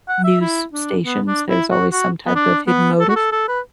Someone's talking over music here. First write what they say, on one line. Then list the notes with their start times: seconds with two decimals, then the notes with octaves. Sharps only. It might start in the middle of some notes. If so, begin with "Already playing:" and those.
news s stations, there's always some type of hidden motive,
0.08 F#5
0.24 E5
0.41 E4
0.73 D4
1.05 B3
1.27 D4
1.49 E4
1.71 F#4
1.92 F#4
2.27 B3
2.36 D4
2.67 B3
3.00 A4
3.09 F#4
3.16 A4
3.32 A4
3.48 B4